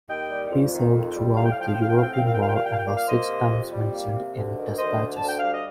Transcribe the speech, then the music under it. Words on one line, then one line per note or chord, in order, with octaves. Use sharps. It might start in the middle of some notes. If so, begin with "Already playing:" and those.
He served throughout the European War and was six times mentioned in Despatches.
D#2 D#5 G5
G3
F2
D#3
F2
G3
A2 F5
G5
F5
F3 G5
F5
G5
A2 F5
G5
F5
C4 G5
F5
G5
A#2 F5
G5
G3 F5
G5
F5
A#2 G5
F5
G5
A#3 D5 F5
F5
A#3 C5 D#5
C3
F2
G3
A#3
C3
D2
D#3
D2 C5 D#5
D3
A5
D2
G5
G3 F5
D#5